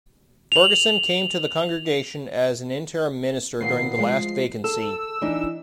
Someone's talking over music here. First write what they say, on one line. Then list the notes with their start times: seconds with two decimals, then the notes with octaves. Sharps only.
Ferguson came to the congregation as an Interim Minister during the last Vacancy.
0.52 F7 F#7
3.61 A#2 D#3 B3 C7
3.98 F3 G#3
4.64 A4 E6
5.21 E3 D4 D#4